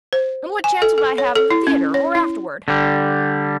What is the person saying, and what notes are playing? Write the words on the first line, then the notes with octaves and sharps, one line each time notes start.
And what chance would I have in the theatre or afterward?
C5
G#5
A4
A4
C#5
A4
E4
C#4
C#5
E4
D3 G3